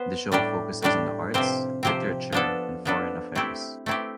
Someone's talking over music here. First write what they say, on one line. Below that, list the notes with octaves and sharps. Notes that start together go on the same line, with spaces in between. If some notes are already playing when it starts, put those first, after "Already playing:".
The show focuses on the arts, literature, and foreign affairs.
Already playing: B3 C5
A2 G3 D4 G4
A2 G3 D4 G4
C3 F3 C4 G4 C5
C3 F3 C4 G4 C5
F3 B3 D4 A4
F3 B3 D4 A4
A3 C4 E4 G4
A3 C4 E4 G4